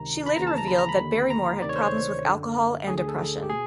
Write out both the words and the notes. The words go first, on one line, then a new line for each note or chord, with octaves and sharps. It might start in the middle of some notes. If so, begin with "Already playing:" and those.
She later revealed that Barrymore had problems with alcohol and depression.
Already playing: C#2 C3 D#3 A#5
B5
D#2 C#3 E3 A#5
A5
A#5
B5
A#5
B5
D#2 D3
A#5
D2 C3 D#3 D5
C#5
C5
C#5
F#2 D3
D2 D3 G#4
G#4
A4
G4
B2 G#4